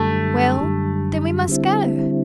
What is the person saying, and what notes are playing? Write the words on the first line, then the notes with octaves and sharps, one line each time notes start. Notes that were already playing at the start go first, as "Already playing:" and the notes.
"Well, then we must go!"
Already playing: F#2 D3 G3 A3
F#2 D3 G3
D3 G3 C4 E4